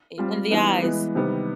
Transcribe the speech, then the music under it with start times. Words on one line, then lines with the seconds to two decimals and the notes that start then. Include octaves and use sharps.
I In the eyes.
0.18 G3 C4 F4
0.51 E3 G3 B3 D#4
0.82 E3 G#3 B3
1.15 C3 D#3 G3 B3